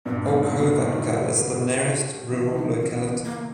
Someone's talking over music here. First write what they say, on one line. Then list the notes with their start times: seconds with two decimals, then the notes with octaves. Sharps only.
Olkhovatka is the nearest rural locality.
0.05 G2 A#2 B3
0.25 G#2 C#4
0.30 B3
0.43 G#2 B2
0.56 A#3
0.62 A#2 C#3
0.80 B2 D#3 B3
0.90 D#4
0.99 E4
1.19 G4
1.37 A#4
1.56 G#4
1.74 E4
1.85 E4
1.93 G4
2.12 G4
2.30 C#3 E3 E4
2.55 D#4
2.81 C#4
2.89 B3
2.97 C#4
3.05 B3
3.25 A#3